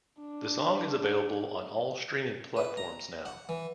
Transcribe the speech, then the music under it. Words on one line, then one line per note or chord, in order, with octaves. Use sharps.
The song is available on all streaming platforms now.
D4
B4
A#5
F#5
E3